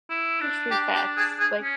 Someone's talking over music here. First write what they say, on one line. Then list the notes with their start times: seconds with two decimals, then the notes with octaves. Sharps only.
history facts", like
0.10 E4
0.40 D4
0.71 G4
0.94 G4
1.17 G#4
1.39 G#4
1.61 C#4